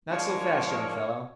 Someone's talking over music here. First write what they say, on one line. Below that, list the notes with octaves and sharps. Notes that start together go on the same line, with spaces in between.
Not so fast, young fellow.
F3 G#3 A#3 D4 C#5